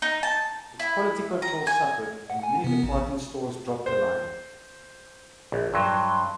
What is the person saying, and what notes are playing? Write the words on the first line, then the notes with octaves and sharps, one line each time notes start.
Its quality control suffered, and many department stores dropped the line.
D#4
A5
E4
A#5
G#5
F#5
G#5
C3 B3
A1
C5
A#1
G2 F#3 C6